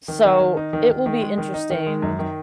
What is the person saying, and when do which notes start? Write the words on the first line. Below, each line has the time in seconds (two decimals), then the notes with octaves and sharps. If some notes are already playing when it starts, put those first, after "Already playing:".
So, it will be interesting.
0.08 D#3
0.25 D#3
0.41 D#3
0.57 D#4
0.73 D#3
0.89 D#3
1.06 D#3
1.22 G#3
1.38 D#3
1.54 D#4
1.70 D#3
1.86 G#3
2.02 F#2
2.19 D#3